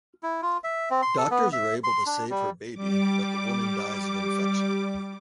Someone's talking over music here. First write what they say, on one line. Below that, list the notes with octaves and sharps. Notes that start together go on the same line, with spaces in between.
Doctors are able to save her baby, but the woman dies of infection.
E4
F4
E5
C4
C6
A4
B3
E5
C6
D4
G3
G3 D6